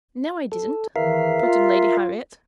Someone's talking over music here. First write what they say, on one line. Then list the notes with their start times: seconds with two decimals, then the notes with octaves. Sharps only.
"No, I didn't," put in Lady Harriet.
0.52 A4
0.96 E2 D#3 E3 A#4 E5 F5
1.42 F4